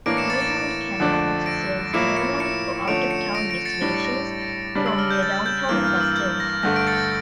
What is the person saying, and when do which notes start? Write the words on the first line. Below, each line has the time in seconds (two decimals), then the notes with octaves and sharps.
Greyhound Canada also serves Vernon for out-of-town destinations from their downtown bus terminal.
0.06 A2 E3 A#3 D4 A#6 D7
0.17 C#7 E7
0.30 A6 C#7
0.41 C#7 E7
1.00 F2 D3 A3 D4
1.46 A#6 D7
1.93 A2 F3 A#3 E4 C#7 E7
2.17 C#7 E7
2.40 C#7 E7
2.87 D3 F3 A3 C#4 D7 F7
3.02 D7
3.11 C#7 E7
3.35 A#6 D7
3.50 A#6 D7
3.65 A6 C#7
3.81 A2 G3 D4 A#6
3.94 C#7
4.05 A#6
4.75 C#3 G3 D4
4.86 E6
4.99 F6
5.10 G6
5.22 A6
5.46 G6
5.69 G2 E3 A#3 F6
5.84 F6
6.01 E6
6.16 G6
6.40 A#6
6.63 G2 D3 A3 A#6
6.76 D7
6.87 A6 C#7